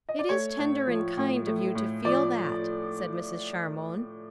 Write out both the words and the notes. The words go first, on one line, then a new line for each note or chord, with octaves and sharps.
"It is tender and kind of you to feel that," said Mrs. Charmond.
D#5
D5
A3 C#5
A2
F3
A2
A3
A2
F3 D5